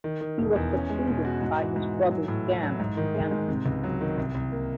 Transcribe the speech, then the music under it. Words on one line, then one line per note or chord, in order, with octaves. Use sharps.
He was succeeded by his brothers Gann and Genann.
D#3
D#3
E1
E2
C#4
G#3
B2
F#4
G#2
E3
G#2
E3
F#3
A2
E4
F#3
G#2
D#3
G#3
G#2
C3
C#2
F#3
D#3
C2
C2
A#3